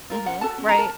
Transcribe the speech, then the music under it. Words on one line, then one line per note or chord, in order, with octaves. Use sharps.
Mhm. Right.
F4 A#4
C#4 F#5
F#4 A4 A5
C#4
A#5
F4
A#4 A5